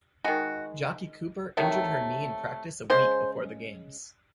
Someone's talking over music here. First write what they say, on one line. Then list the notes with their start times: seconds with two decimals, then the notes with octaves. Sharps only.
Jacqui Cooper injured her knee in practice a week before the games.
0.25 D#3 G#3 F#4
1.57 C3 D#3 F#3 A3
2.90 C#3 G#3 C5